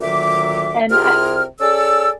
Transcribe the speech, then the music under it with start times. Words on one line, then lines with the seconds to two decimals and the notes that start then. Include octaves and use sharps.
and I
0.01 D2 A#2 D#3 F#3 E5 D6
0.90 C2 C3 F4 G#4 F6
1.60 C#4 G#4 A4 D5 E6